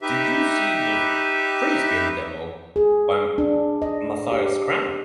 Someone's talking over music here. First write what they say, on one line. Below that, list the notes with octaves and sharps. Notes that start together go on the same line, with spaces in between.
Did you see the "Freespin demo" by Matthias Kramm?
D#4 G4 B4 E5
G#4
D4
D#5
G4